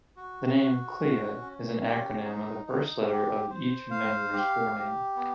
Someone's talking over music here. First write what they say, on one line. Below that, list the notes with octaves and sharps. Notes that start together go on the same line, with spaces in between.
The name 'Clea' is an acronym of the first letter of each member's forename.
F#4
F#4
C#4
C#4
G4
D#4
D#4
G4
C5
F5
G4
G4
B3